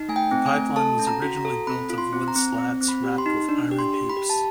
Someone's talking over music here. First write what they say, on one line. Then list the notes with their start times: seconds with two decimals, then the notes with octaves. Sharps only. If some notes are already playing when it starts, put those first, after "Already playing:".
The pipeline was originally built of wood slats wrapped with iron hoops.
Already playing: D#4
0.09 A3 G#5
0.16 G5
0.31 C4
0.46 G#5
0.54 A3
0.76 A4 A5
0.99 C#4
1.07 A#5
1.22 F#4
1.37 A#5
1.45 A4
1.67 C4 B5
1.90 F4
1.98 C6
2.13 C4
2.28 A#5
2.36 C4
2.58 C4
2.81 C4
2.88 B5
3.03 G4
3.18 C6
3.26 D#4
3.49 D4
3.71 G4
3.79 C6
3.94 G4
4.10 B5
4.17 G4
4.30 A5